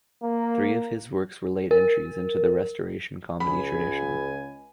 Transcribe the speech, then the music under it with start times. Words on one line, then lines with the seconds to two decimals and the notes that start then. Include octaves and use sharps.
Three of his works were late entries into the Restoration Comedy tradition.
0.22 A#3
1.71 A#4
3.40 C#2 G#5 B5